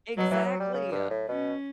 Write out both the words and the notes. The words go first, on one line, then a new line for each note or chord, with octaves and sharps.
Exactly, uh!
B2 F#3
E3
F#3
G3
C#3
G2
A2
B2 C#4